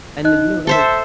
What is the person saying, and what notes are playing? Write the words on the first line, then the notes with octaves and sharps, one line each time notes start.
and then you know another
D#4 D#5 F#6
A4 C5 E5 G7